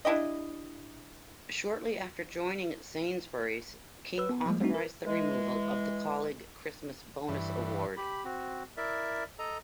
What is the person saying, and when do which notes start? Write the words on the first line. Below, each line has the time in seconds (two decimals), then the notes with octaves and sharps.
Shortly after joining Sainsbury's, King authorised the removal of the Colleague Christmas Bonus award.
0.05 D4 E4 G4 D#5
4.18 B4 E6
4.29 B3
4.46 F3 G3 G#3 A#3
4.61 G3 A3 C4 D4 D#4 F#4
4.74 A#4
5.06 E3 G#3
7.29 G2 E3
7.97 G4 B5
8.24 C4 F#4
8.77 E4 A#4 D5 E5
9.39 A4 D#5 A#5